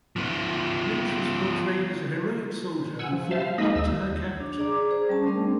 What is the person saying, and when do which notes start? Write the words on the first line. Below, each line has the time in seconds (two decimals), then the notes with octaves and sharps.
Lynch was portrayed as a heroic soldier who fought up to her capture.
0.16 F3 B3
2.99 F#5 G#5 E6
3.13 F3
3.31 C5 E5 F5 A5
3.45 F5
3.58 G#3 A#3 D#4 D#5 B5
3.75 D#2 E6
4.40 D4
4.58 G#4 D5 A#5 D6
4.91 G#4 C5
5.09 G3 C#4 A5
5.26 A3 C4 D4 A#4